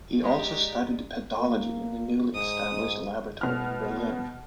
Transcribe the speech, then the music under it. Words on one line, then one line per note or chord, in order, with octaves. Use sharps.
He also studied pedology in the newly established laboratory in Berlin.
G#3 D#4 G4 D5
A#3
G#2 D#6
B2 F6